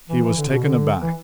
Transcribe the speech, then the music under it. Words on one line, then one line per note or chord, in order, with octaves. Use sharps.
He was taken aback.
E3
E3
D3
B2
D3
E3